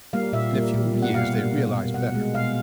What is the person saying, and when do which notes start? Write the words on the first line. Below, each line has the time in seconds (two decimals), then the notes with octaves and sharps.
In a few, years they realised better.
0.13 G3 A#3 F5
0.33 A#2 E5
0.53 G3 A#3
0.74 A#2
0.93 G3 A#3
1.02 F#5
1.14 B2 F5
1.34 G3 A#3
1.54 B2
1.74 G3 A#3
1.94 B2 F#5
2.14 G#3
2.35 B2 F5